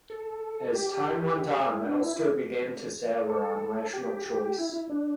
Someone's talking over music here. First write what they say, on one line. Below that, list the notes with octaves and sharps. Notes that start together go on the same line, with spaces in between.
As time went on Elster began to sour on rational choice.
A4
G4
E4
D4
E4
E4
A4
G4
G4
G4
E4
E4
D4